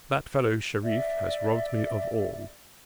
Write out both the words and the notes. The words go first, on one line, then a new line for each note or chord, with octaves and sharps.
That fellow Sherif has robbed me of all.
D5 E5